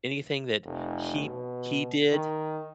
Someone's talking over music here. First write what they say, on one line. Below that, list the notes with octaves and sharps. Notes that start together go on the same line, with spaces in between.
Anything that he he did,
F1
B2
D#3